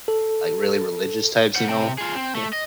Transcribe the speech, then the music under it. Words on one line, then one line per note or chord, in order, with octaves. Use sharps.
like, really religious types, you know? Yeah.
A4
C5 F#5
C3 G5
F4 G#4
C4
A3
D#5